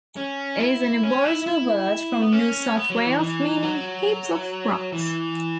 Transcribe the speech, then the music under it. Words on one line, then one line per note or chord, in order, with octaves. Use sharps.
It is an Aboriginal word from New South Wales meaning "heaps of rocks".
C#4
E4
C#4
E4
E4
B3
C#4
B3
F#3
E3
E3
F#3
E3